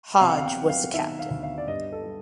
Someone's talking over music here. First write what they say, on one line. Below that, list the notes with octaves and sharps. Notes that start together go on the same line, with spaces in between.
Hodge was the captain.
C3 F5
F#5
F5
G5
F#3
F5
D#3 E5
F5
D2
F5
D5
G2 D#5
A4
G3